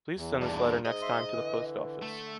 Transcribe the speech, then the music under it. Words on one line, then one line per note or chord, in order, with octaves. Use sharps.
Please send this letter next time to the post office.
E2
G2 A#2 D4
G#2 D#5
E5 C6
D3 E3
A3